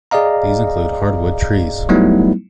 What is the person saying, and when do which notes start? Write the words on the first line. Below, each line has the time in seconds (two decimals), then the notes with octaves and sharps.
These include hard-wood trees.
0.11 G#4 D5 D#5 F5 A#5
1.89 F#3 G3 A3 B3 D#4 E4